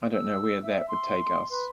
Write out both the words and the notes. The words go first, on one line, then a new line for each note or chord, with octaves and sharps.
I don't know where that would take us.
E6
E5
C6
B4